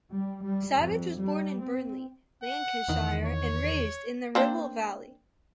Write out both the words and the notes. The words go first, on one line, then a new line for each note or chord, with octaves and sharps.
Savage was born in Burnley, Lancashire and raised in the Ribble Valley.
G3
G3
F2
G3
C4
F#5
E2 D#3
C#5
A#3 C4 D4